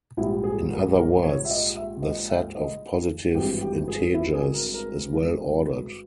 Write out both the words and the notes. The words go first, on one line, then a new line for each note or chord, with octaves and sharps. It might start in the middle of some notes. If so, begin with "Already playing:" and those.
In other words, the set of positive integers is well-ordered.
A#1 G#2 G3 E4
G#4
A#4
A#4
C#5
E5
D#5
E5
D#5
E5
D#5
G#1 G2 E3 G#3 G4
G4
G#4
E4
G#4
A#4
A#4